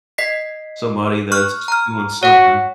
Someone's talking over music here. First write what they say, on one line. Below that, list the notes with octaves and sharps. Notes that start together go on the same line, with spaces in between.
somebody that's doing something
D#5 B6 C7
C#6 F6 F#6
A#5 F6
F#4 C#5 F#5